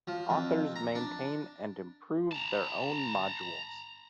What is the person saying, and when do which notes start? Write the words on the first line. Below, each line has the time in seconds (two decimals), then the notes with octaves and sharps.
Authors maintain and improve their own modules.
0.07 F3
0.30 F2
0.76 A#5
0.95 D4
2.33 A5 A#5